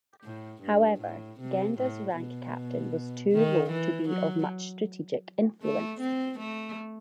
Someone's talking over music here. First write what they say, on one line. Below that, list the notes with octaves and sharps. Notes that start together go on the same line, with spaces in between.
However, Genda's rank-captain-was too low to be of much strategic influence.
A2
G2
A2
C3
A2
B2
D#3
E3
F#3
A3
C4
A3